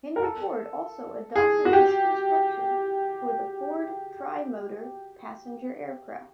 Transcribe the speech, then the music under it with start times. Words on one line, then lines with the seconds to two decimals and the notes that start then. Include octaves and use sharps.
Henry Ford also adopted this construction for the Ford Tri-Motor passenger aircraft.
0.16 A#4
0.23 A4
1.36 G#4
1.65 F#4
1.73 G4